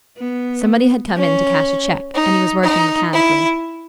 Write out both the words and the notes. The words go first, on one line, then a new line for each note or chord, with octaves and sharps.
Somebody had come in to cash a cheque, and he was working mechanically.
B3
C#4
D#4
D#4
E4